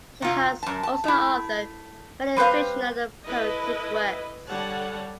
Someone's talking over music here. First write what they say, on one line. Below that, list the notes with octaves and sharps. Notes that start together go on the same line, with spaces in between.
She has also authored many fictional and poetic works.
C3 F4
F#2 A5
A5
A3 E4
G3 C4 B4 C5 F5
E4 A4 B4 D#5
D3 G3 A4 C#5 F#5 A5